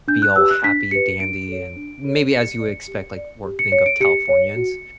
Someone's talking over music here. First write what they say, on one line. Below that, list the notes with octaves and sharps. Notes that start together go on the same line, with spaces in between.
be all happy, dandy, and maybe as you would expect, like, or think of Californians,
D4 G6
F#6
G4 B4 E6
F#6
D4 B6
G4 B4 C#7
D4 D7
A4 C#5
D4
A4 C#5
G4 C#7
D5
G4
D5
G4
C#7
C#5 C#7
D7
G4 C#7
C#5
F#4